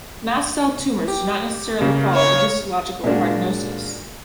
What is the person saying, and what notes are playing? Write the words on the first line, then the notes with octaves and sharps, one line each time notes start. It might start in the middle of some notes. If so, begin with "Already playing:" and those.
Mast cell tumors do not necessarily follow the histological prognosis.
G4
C#3 A#3
C#5
A#2 G#3 A#3 D4 F#4